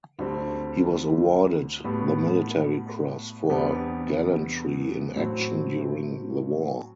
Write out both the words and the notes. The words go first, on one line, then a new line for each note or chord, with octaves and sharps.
He was awarded the Military Cross for gallantry in action during the war.
D2 D3 G3 C4
A2 G3 B3 F#4
E2 C3 G3 B3 D4
A2 F#3 C4